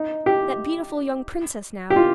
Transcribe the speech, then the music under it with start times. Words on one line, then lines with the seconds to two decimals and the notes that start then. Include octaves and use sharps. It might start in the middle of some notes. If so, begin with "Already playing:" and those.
That beautiful young princess, now!
Already playing: D#4
0.26 G4
1.90 G4
1.96 F4